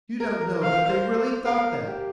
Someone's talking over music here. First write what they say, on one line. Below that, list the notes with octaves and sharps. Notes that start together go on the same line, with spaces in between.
You don't know, but they really thought that.
A#4
A#4
C5 F5
C5
A#4 F5
G4